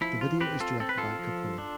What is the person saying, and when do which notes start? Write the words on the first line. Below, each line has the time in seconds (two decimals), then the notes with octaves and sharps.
The video is directed by Capone.
0.01 F3 E4
0.21 F4
0.41 C4 G4 B4
0.60 F4 A4
0.80 C4 A4
0.89 B4
0.98 F4 A4
1.19 F3
1.58 D4